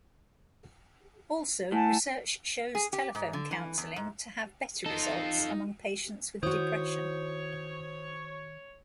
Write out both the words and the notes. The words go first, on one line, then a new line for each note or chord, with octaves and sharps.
Also research shows telephone counseling to have better results among patients with depression.
A2 F#5 G#5 A5
G#4
G4
G#2
D3
E3
E2
G#2
D#4 F4 A4
D#3 E4 F#4 C5 C#5 D#6 G6